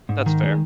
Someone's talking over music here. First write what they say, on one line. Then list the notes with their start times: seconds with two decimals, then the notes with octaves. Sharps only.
that's fair.
0.09 G#2
0.26 D#3
0.43 G#3